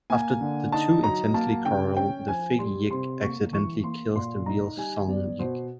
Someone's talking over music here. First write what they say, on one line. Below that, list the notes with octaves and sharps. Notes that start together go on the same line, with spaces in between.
After the two intensely quarrel, the fake Yik accidentally kills the real Sung Yik.
A#3 G#5
D3
D#4 A5
F#3 A#5
A#3 A5
C#3 G5
C#4 G5
F3 G#5
G3 C6
C3 C6
A#3 C#6
E3 C#6
A#3 C6
A#2 C6
D#4 A#5
G3 G#5
B3 D5
B2 C5